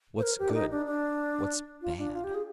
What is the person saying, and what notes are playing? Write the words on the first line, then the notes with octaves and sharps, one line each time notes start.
What's good, what's bad?
C5
A#4
G4
D4
D#4
D4
D4
F4
D4
F4
G4
G#4